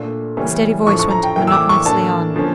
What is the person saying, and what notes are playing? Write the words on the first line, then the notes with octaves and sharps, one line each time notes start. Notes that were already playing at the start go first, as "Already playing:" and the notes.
The steady voice went monotonously on.
Already playing: A#2 A3 D4
C#3 E3 G3 A#3 C#4
A2 F3 A3 D4 C#6
C#6
A#5
G5
A2 E3 A#3 G5
E6
D6
C#6
A2 E3 A#3 D4 A5
D3 F3 A#3 C#4